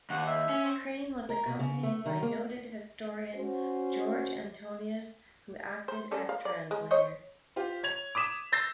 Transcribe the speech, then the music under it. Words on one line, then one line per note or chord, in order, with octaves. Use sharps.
Crane was accompanied by noted historian George Antonius, who acted as translator.
D#2 F#5
E5
C#4
C4
A#4
B2
C#3
A3
D#3
A#3
C#4 F#4 C5
C5
G3 C#4 A4
F5
D5
G#3
C5 C#5 D#5
F4 G4 C5
C#5 G#6 F7
D6 D#6 B6 E7
E6 G6 A6 A#6 C7